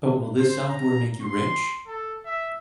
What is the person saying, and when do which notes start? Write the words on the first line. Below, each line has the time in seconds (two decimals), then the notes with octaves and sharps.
But will this software make you rich?
0.39 C5
0.69 A#5
1.21 C6
1.86 A4
2.25 E5